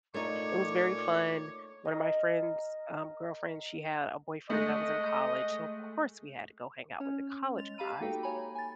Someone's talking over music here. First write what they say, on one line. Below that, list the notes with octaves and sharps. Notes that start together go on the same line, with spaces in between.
It was very fun. One of my friend's, um, girlfriend, she had a boyfriend that was in college, so of course we had to go hang out with the college guys.
A#2 A3 D#4 C#5 D6
A#4 D#5
G#3 A3 D#5
C#4 C#5
G#3 A6 F7
G4 F5 A#5 B5 D#7
A#3 D#4 F#4 G4 A4 G5
C#5 G#5 A#5 B5
G#5 A6